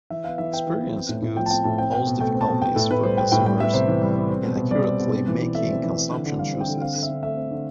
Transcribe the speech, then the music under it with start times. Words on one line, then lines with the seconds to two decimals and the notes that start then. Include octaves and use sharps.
Experience goods pose difficulties for consumers in accurately making consumption choices.
0.10 E3 E5
0.24 B3 F5
0.38 E3 E5
0.53 B3 G5
0.67 E3
0.81 B3
0.95 C4
1.09 A2
1.22 A2
1.36 F3 G5
1.46 A5
1.50 C4 G5
1.64 A2 A5
1.78 C4 G5
1.92 B2 G5
2.07 B2
2.20 A3 G5
2.35 C4
2.41 A5
2.48 B2
2.62 B3 G5
2.76 A2 A4
2.91 A2 B4
3.03 G3 C5
3.17 B3 G5
3.32 A2 G5
3.46 G3 G5
3.60 B3 E5
3.74 C3 C5
3.88 E3
4.02 G3
4.16 B3
4.29 C4
4.43 B2
4.57 B2
4.71 G3 D5
4.86 C4
5.00 B2
5.13 C4
5.28 E3
5.41 E3
5.55 A3 E5
5.69 C4
5.84 E3
5.97 C4
6.11 D3
6.26 D3
6.39 G3 F5
6.53 C4
6.60 G5
6.68 D3
6.81 C4 F5
6.96 D3
7.03 E5
7.09 D3
7.23 A3 E5
7.36 C4
7.51 D3